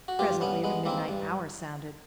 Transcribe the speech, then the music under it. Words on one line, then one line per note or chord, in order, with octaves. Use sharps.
Presently the midnight hour sounded.
F#4
G2 F4 G4
G2 B3 C#4
G#3 B3
E3 A#3 C4
G2